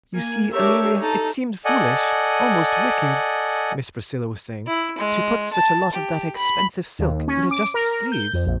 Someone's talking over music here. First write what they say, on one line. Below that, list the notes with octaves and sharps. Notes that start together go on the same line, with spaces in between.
"You see, Amelia, it seemed foolish--almost wicked," Miss Priscilla was saying, "to put such a lot of that expensive silk into just sleeves."
A#3 G#5
D4 G4 A#4 C#5 E5
D#4 A4 A5
A4 D5 D#5 F#5 G#5
E4
G#3
A5
G4
B5
D#2
C#4
D6
A#4
A#4
G6
F2
A#1